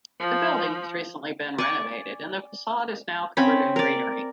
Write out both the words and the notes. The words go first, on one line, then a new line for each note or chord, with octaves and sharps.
The building has recently been renovated and the facade is now covered in greenery.
F3
D5 G#5 C#6
C4 C#4 C#5 B5
A#4 D5